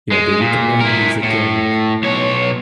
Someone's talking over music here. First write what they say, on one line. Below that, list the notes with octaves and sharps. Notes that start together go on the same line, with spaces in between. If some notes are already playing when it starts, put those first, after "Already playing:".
Yeah, they become enemies again.
G#3
A#2
E4 A#4
A2
B1 C#5